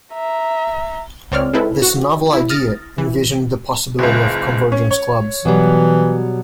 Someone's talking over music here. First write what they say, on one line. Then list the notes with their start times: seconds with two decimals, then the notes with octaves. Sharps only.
This novel idea envisioned the possibility of convergence clubs.
0.13 E5 A#5
1.32 C#2 C4 C#5 D5 F6
1.53 G#3 C4 D#4 E4 A4 B4
1.82 F#4
2.33 E4
2.50 D#6 F6 A6 A#6
2.98 E3
3.99 F#1 C#2
4.72 C#4
4.91 C#5
5.45 B2 E3 F#3 G3